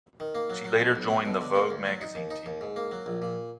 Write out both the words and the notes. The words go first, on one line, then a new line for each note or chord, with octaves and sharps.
She later joined the "Vogue" magazine team.
D#3
A#3
F#3
F#3
B2
B1
F#3
B2
D3
A#3
D2
F#3
D#4
D#2
D#4
D#2
G#2
A#3
F#3
A#1
A#2